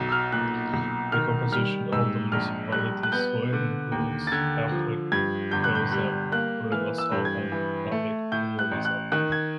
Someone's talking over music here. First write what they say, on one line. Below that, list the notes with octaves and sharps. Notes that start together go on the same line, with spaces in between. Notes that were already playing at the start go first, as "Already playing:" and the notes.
The composition of the municipality's soil includes Haplic Feozem, Regosol and Chromic Luvisol.
Already playing: B1 F#3
E6
F6
A#2 F#6
B1
D#3 F6
G3 F6
G#2 E6
A#1 F6
G3 F#6
F#6
B3 G6
D3
D#2
A6
D3 G#6
F3
G2 G#6
G1 G6
F#6
G6
G3 F#6
A#3 F#6
E3 F6
E6
G2
G#6
E3
A3
A2 G6
F#6
A1
F#6
D#3 F#6
G#6